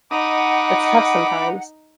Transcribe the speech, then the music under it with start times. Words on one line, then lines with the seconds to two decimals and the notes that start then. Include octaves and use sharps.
It's tough sometimes.
0.11 D#4 D#5 F#5 B5 D6